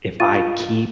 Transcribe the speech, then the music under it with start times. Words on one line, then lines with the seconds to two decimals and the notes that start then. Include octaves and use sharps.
if I keep
0.20 F4 D#5 F5 C#6 A6 D#7